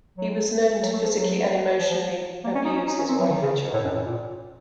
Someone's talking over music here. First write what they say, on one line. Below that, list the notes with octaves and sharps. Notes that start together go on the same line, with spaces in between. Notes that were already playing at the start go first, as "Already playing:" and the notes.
He was known to physically and emotionally abuse his wife and children.
F#3
F#3
A3
F3
F#3
F3
F3
A#3
C#4
D#4
C#4
D#4
C#4
C4
F#3
D#3
C#3
A2
F#2
A2
A#2